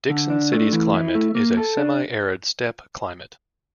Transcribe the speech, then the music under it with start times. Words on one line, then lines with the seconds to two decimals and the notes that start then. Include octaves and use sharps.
Dixon City's climate is a semi arid steppe climate.
0.10 D3
0.30 D4
0.52 A3
0.72 E3
0.94 E4
1.15 A3
1.35 A#3
1.57 A4
1.77 D4